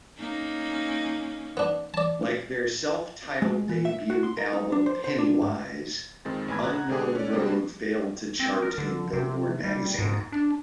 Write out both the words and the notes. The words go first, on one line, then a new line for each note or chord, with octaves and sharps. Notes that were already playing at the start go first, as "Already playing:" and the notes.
Like their self-titled debut album "Pennywise", "Unknown Road" failed to chart in Billboard magazine.
A#3 C#4 D#4
B3 D4
D5 A5
G#3
E3
E5
F#4
C6
A#4
D#4
D4
C5
C5
D4
G#2
F2 D#3 G#3 C4 A6
A1 B3 G#5 B5 G#6
F#5 A#5 F#6
D3 G#3 D4 G4 G#4
C#4 A4 D5
C3 G3 G#3 A#3 D4 F#4
C4
A#4
D3
C3
G3
G#2
D4